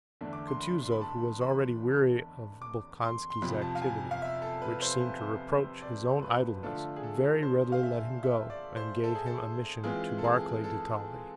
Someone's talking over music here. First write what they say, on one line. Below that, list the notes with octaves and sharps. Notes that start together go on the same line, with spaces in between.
Kutuzov, who was already weary of Bolkonski's activity which seemed to reproach his own idleness, very readily let him go and gave him a mission to Barclay de Tolly.
E2 D3 A3 D4
D6
C6
B5
C6
B5
A5
B5
D6
C6
C6
F2 C3 F3 B5
A5
F5
G#5
F5
E5
A4
B4
C5
D5
B4
D3 F3 A3 D4 F4 A4
G#4
A4
C5
F5
E5
E5
D5
C5
A4
G#4
A4
E3 G#3 C4 F4 G#4
A4
G#4
A4